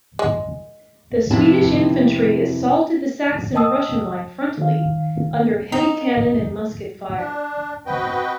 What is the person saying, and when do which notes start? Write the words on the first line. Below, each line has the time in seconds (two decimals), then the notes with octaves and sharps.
The Swedish infantry assaulted the Saxon-Russian line frontally, under heavy cannon and musket fire.
0.19 G#3
1.31 F2 C3 E4 B4 A5
3.54 D#5 G5 A5 D#6 E6
4.58 D#3 F5
5.72 D#4
7.17 D4
7.86 C4 F#4 B4 D#5 G5